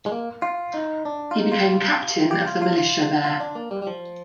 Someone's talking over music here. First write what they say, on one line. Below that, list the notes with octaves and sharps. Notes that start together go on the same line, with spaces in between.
He became captain of the militia there.
G#3
A#3
F4
D#4
D4
F4
D#4
F4
G4
F4
F4
F4
F4
D4
A#3
G3
G3
F3